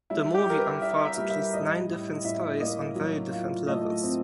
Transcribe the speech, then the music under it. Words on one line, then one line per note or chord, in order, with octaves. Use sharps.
The movie unfolds at least nine different stories on very different levels.
G3 E4
G4
E4 A#4
B4
E4 E5
E5
G3
E5
A2 D#5
A2
A2 E5
A#3 D#5
F#3
F4
A3 D#5
C4